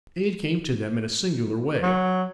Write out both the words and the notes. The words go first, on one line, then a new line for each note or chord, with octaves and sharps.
Aid came to them in a singular way.
F#3